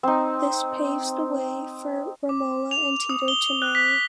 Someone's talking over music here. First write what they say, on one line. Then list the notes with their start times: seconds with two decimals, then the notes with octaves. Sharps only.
This paves the way for Romola and Tito to marry.
0.03 C4 D#4
2.29 D6
2.71 F7
3.10 D#6
3.28 G7
3.62 F#6
3.75 B6